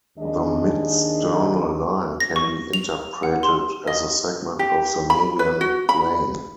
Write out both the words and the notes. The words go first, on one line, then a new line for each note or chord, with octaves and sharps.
The midsternal line can be interpreted as a segment of the median plane.
D#2 D#3 G#3 D4 G#4 D#5
A#6
C#6
F7
F#5
C6
D#5
G4
B5
B4
F#4
B5